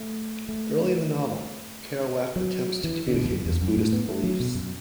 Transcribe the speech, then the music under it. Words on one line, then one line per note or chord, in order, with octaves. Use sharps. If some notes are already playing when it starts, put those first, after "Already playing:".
Early in the novel, Kerouac attempts to communicate his Buddhist beliefs.
Already playing: A3
A3
F#3
E3
D3
B2
E2
F#2
E2
F#2
A2
B3
A3
F#3
B2
F#2